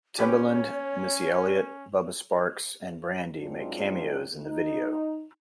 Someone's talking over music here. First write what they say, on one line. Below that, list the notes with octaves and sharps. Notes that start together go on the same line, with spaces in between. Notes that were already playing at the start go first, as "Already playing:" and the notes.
Timbaland, Missy Elliott, Bubba Sparxxx and Brandy make cameos in the video.
C#4 G4 B4 C#5
F#2 G#3 C4 D4 D#4 F4
D#4